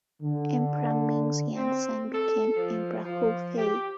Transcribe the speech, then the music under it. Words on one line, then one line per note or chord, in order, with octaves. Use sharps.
Emperor Ming's young son became Emperor Houfei.
D3
C4
A4
F3
F3
G4